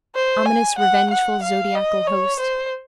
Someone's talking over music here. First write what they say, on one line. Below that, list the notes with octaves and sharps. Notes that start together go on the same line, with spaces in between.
Ominous revengeful zodiacal host!
C5
G#5
F#5
F#5
F5
D#5
C#5
C5